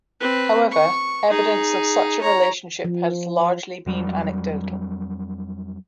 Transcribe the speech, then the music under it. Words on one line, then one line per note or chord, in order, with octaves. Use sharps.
However, evidence of such a relationship has largely been anecdotal.
C4 B4
C#6
D#4 G#4
C#5 A#5
F3
F2 F#3 G3